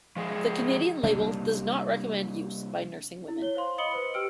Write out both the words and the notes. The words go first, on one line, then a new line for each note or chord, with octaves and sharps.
The Canadian labeling does not recommend use by nursing women.
F3 G#3 G#4
C3 G3 A#3 D4
E4
C#5 G7
C5 F5 C6
D#5 B5 D#6 C#7 F#7 G7
B4 C5 C#7
G4 G5 E6 F6 C#7 D7